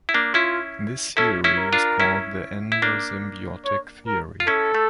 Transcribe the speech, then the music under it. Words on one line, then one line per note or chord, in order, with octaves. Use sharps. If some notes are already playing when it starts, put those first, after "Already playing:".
This theory is called the endosymbiotic theory.
E4
A#3 D4
C#4 E4 F4
C#4 E4 A4
C#4 E4
A#4
D4 F4
C#4 E4
E4
A#3 D4
C#5
A#4
F4
C#4 E4 A4
A3